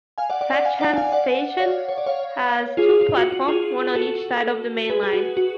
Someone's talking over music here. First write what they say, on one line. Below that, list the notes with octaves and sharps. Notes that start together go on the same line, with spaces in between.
Thatcham station has two platforms, one on each side of the main line.
F5 G#5
D5 F#5
D5 F#5
D5 F#5
F5 G#5
D5 F#5
F5 G#5
D5 F#5
C#5 F5
C#5
D5
C#5 F5
F4 G#4
F4
F#4
F#4
F4 G#4
F#4 A4
G#4 B4
G#4
F#4
F#4